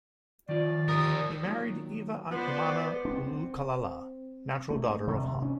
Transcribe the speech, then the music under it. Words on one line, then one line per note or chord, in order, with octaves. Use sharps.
He married Eva-i-pomana Ulukalala, natural daughter of Hon.
D#3 F3 F4 D5
G4 A#4 D#6
A#2 D#3 F#3
B3 F4 B4 C5 D5
C4
A3
C3
C#4